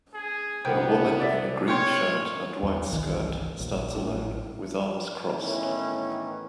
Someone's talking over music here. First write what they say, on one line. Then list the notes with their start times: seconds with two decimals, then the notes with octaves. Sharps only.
A woman in a green shirt and white skirt stands alone with arms crossed.
0.14 G#4
0.65 C2 D3 A#3 B3 G5
1.20 D5 E5
1.68 C#4 F4 C#5 G5 C6
2.63 E2 F#3
2.91 G1 C2 D#3 E3
3.60 D#1 A#1
3.94 A1
5.41 A2 D#3 E3 B3 C#4